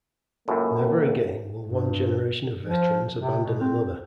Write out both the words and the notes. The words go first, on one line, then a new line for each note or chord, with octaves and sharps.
Never again will one generation of veterans abandon another.
C#2 F#2 A2 A#3
G2
F3
C3
B2
C4